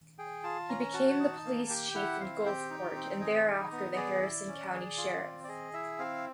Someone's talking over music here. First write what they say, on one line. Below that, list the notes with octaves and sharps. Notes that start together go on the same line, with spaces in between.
He became the police chief in Gulfport and thereafter the Harrison County sheriff.
G#4 G5
F4 A5
C#4 A#5
F#4 A5
D#4
A#3
G4 G5
G5
E4 F#5
C4 F5
G4 G5
D#4
C4
G#4 D#5
D#4
B3
G#4 D5
E4
C#4
G#4
F4
C4
D5
G#4 D#5
E4 E5
C4 F5